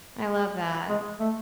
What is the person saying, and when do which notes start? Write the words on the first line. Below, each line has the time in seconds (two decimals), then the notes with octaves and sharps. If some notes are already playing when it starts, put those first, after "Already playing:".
I love that.
0.89 G#3
1.20 A3